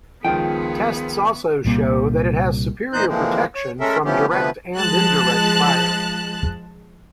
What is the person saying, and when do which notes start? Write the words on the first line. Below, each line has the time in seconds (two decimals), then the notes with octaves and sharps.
Tests also show that it has superior protection from direct and indirect fire.
0.25 C#2 D#3 F3 B3 F4 G#4 G5
1.65 C2 A#2 G3 A#3
2.93 A#2 E3 D#4 C5 F#6 G6
3.08 A#2 D3 E3 F3 G#3 C4
3.56 C#5
3.80 G#3 A3 C#4 A4 A#4 E5
4.05 E3 F3 A3 B3 C#4 G4
4.29 D2 C3 F3 B3 B4
4.76 F3 G#3 A5 F#6